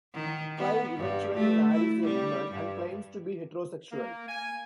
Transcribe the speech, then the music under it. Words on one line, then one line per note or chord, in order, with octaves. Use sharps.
Clive eventually marries a woman and claims to be heterosexual.
D#3
B3
G2
A3
E4
G3
G2
A#3
G#5